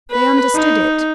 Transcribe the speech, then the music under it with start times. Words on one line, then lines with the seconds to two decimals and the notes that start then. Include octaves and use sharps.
They understood it.
0.11 B4
0.56 D#4